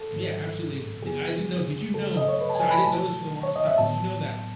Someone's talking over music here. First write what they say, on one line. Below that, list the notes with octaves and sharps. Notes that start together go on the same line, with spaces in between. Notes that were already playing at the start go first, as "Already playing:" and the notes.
Yeah, absolutely, and the I didn't know, did you know 'cause I didn't know this for the longest time, but did you know that,
Already playing: A4
G#2 D#3 F#3 A3
F#2 C#3 F#3 B3 G#4
C#3 F#3 A3 A4
D#5
C#5
B4
A5
G#5
B5
B2 F#3 A3 A5
C#5
D#5
E5
A2 F#3 B3 A5